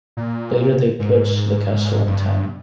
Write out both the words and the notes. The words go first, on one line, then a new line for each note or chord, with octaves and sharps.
Later, they pledged the castle and town.
A#2
G#2
G2